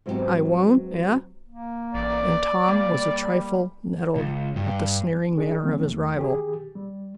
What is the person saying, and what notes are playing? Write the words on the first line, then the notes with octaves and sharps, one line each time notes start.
"I won't, eh?" and Tom was a trifle nettled at the sneering manner of his rival.
G#2 F#3 B3 C4 E4 G4
A#3
A1 D5
G3 A#3
C#2
G2
D4 G#4
E3 G3 A#3 C4 C#4
E2 D#3 A3
D#3 G4 G#4
G3